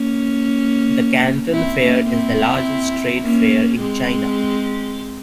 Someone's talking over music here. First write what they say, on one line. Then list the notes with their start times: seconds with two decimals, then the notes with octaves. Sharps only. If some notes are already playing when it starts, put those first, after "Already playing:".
The Canton Fair is the largest trade fair in China.
Already playing: A#3 C#4
1.52 C4 E4
1.80 A#3 C#4
2.09 C4 E4
3.23 A#3 C#4
3.80 G#3 C4